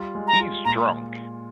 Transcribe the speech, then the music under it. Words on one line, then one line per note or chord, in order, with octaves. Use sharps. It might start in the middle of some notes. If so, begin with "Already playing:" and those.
He’s drunk.
Already playing: G3 F4
G#3
A#5
F4
A#2 A#5